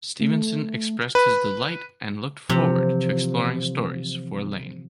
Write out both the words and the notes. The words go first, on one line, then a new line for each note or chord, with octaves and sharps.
Stevenson expressed his delight and looked forward to exploring stories for Iain.
A3
B4
C3 E3 F3